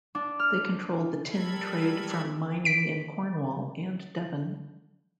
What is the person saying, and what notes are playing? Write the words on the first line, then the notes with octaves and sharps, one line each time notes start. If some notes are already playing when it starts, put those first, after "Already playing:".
They controlled the tin trade from mining in Cornwall and Devon.
D4
F6
G3 A4 A#4 B5 G#6
B6 D7